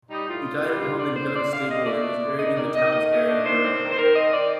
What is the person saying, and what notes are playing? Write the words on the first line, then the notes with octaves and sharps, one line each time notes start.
He died at home in Dunstable and was buried in the town's burying ground.
G3 D#4
A2 F4
A2
G3
A2 F4
D4 D5
A2 C5
D4 D5
D3 F5
D3 D#5
A3 D5
D4
D3
D#3 D#5
D#3 D5
D#3 D#5
A3 D#5
A3
D4
D#3 C5
C4
D#3
C5
D#3 A#4
C4 D#5
D#3 D5